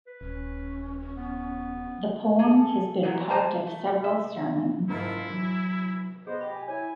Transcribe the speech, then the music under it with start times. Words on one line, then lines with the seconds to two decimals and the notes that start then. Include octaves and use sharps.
The poem has been part of several sermons.
0.07 B4
0.21 D#1 C#4
1.17 B3
2.39 G#4 A4
3.03 E2 A#2 F#3 B3 C4
3.29 E3 F4 C5 A5 A#5
3.67 A3
4.04 E5
4.89 F#1 G#2 E3 E4 F4
5.30 E3 F#3
6.27 B3 G#4 C5 D#5
6.41 G4 B5
6.54 G#5
6.68 E4 C#5 G#5